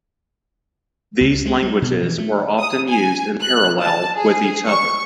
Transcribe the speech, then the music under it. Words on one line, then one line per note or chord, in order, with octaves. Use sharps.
These languages were often used in parallel with each other.
C#2
G#3
G3
B2
E3
A3
D#6
G#5
F#6
A5
G#4
C#6